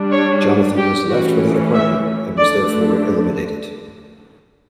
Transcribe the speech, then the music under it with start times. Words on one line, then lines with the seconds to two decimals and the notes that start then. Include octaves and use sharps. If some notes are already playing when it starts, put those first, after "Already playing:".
Jonathan was left without a partner and was therefore eliminated.
Already playing: G3 D4
0.12 C#5
0.77 G4
1.09 E3 A3 C#4 F#4
1.73 E5
2.37 D3 A3 D4 D5